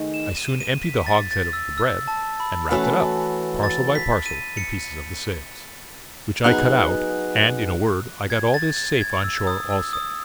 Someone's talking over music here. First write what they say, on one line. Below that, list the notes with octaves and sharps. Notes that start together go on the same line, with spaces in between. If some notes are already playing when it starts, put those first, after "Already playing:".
I soon emptied the hogshead of the bread, and wrapped it up, parcel by parcel, in pieces of the sails, which I cut out; and, in a word, I got all this safe on shore also.
Already playing: D#3 A3 D#4 G#4
E7
D#7
D#7
B6
A6
A6
E6
E6
A5
B5
E3 A3 C#4 F#4 A4
A6
B6
D#7
C#7
F#3 B3 D#4 G#4 F#6
G#6
A6
A6
G#6
E6
D#6
E6
D#6